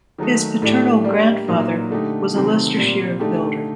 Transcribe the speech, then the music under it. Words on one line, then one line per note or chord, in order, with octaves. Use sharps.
His paternal grandfather was a Leicestershire builder.
D#3 F#3 A3 D#4
A2 A3 D4 G4
G3 A#3 D4 G4
A#2 F#3 A#3 D#4
D3 A3 D#4 G4
C3 D#3 F#3 A3 C4
A#2 G3 C4
D3 A3 D#4 G4